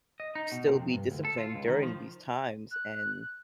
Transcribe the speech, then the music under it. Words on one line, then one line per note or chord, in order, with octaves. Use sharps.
still be disciplined during these times, and,
D#5
D#4
B2
C3
F2
G2
D2
A4
F4
C#2
D#3
F3
F#6